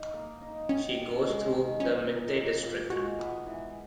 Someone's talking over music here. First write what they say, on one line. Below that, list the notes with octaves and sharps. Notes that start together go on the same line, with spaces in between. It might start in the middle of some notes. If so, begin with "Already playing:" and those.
She goes through the Mitte district.
Already playing: D#4
A#3
D#4
D#3 C#4
D#3
G#3
D#3
A#2 C#4
D#4
A#2
A#2
G#3 F#4
B3
E3